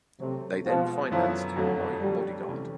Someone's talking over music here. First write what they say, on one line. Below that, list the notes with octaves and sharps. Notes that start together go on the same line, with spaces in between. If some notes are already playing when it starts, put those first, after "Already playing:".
They then financed "My Bodyguard".
C3 F#3 A3 C4
B2 F3 G#3 B3
F#2 D3 F3 F#3 B3 E4
F2 D3 F3 F#3 A3
F2 D3 F#3 G3 A3
C3 E3 A3 C#4